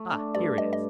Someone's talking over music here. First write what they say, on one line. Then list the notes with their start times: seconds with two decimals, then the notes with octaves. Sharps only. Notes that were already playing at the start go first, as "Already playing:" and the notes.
Ah, here it is.
Already playing: A3
0.11 D4
0.35 G2 D5
0.58 G2 D#5
0.73 D#5